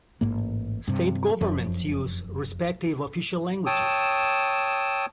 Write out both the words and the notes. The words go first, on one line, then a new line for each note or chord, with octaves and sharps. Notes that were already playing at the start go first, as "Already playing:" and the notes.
State governments use respective official languages.
A1 G#2 A#3
G2 C3
F1 F#2 F3
C#5 G5 A5 D#6 E6